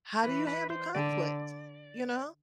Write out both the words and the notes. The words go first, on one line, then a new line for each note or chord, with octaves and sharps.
How do you handle conflict, you know?
E3 B4
B4
C5
D3 D5